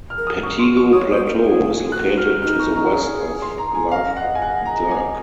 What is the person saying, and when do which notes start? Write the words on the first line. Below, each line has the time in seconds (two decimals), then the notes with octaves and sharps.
Pettigo Plateau is located to the west of Lough Derg.
0.10 F6
0.18 A#4
0.27 D#6
0.43 C#6
0.59 C6
0.77 C#6
0.93 C#5 D#6
1.10 C5
1.27 A#4
1.43 G#4
1.92 F#4 F#6
2.18 F6
2.42 D#4 F6
2.59 C#6
2.76 A#5
2.91 G#4
3.42 C6
3.58 A#5
3.75 G#5
3.91 D#5 F5
4.17 F#5
4.35 G#5
4.42 F#5
4.65 A#5
4.91 G#5